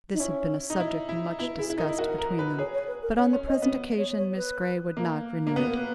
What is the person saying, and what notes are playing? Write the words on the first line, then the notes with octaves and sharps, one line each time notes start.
This had been a subject much discussed between them, but on the present occasion Miss Grey would not renew it.
D#4
C#4 E4
D#4
E4
E4
B3 E4
E4 G#4
E4
D#4 A#4
E4
F#4 A#4
A#4
B4
G#4 C#5
C#5
B4
A#4
C#4 C#5
C#4
C#4 D#5
B3
C#5
C#5
B4
A#3
A#3
B3 B4
A#4
B4